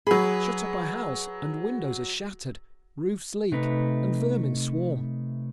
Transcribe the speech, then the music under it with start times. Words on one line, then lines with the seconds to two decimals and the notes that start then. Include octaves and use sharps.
Shut up a house, and windows are shattered, roofs leak, and vermin swarm.
0.07 F#3 G#4 B4 B5
3.52 C3 A3 D#4 B4